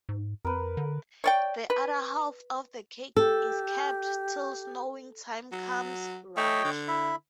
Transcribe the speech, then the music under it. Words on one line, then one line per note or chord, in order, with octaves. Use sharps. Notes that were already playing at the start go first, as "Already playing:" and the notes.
The other half of the cake is kept till sowing-time comes round.
G#2
F2 A#4 B4
D3
C#5 D5 G5
B4
G4 A4
F#3
A3 C#5 D#5 G5
D3
E4 E5